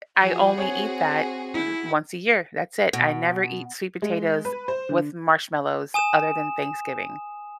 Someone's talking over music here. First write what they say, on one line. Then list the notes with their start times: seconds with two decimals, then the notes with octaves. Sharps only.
eh I only eat that th once a year, that's it. I never eat sweet potatoes with marshmallows other than Thanksgiving.
0.20 F3 F#4 G#4
0.58 C4 C#5 G#5
1.54 E4
2.93 B2
4.02 G#3
4.45 B4
4.68 C5
4.89 D3
5.94 G#5 D#6 E7